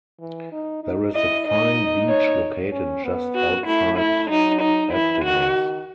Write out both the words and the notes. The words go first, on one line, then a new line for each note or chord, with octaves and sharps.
There is a fine beach located just outside Evdilos.
E3
D#4
D#4
E4 D#5
D#4 D#5
C#5
C#4
B3
F#4
A3 E4
A3 E4
F#3 D#4
D#4
E3 E4
D#3 F#4